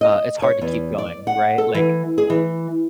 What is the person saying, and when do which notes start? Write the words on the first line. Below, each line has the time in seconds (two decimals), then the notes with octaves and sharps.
uh, it's hard to keep going, right? Like,
0.01 D#5
0.42 C#5
0.61 E2
0.98 D5
1.27 F#5
1.58 A4
1.75 E3
2.18 G#4
2.30 E3